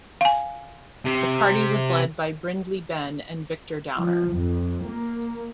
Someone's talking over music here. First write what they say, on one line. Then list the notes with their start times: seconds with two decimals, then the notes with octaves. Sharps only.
The party was led by Brindley Benn and Victor Downer.
0.21 F5 G#5
1.06 C3
3.97 F3
4.33 F2
4.84 A#3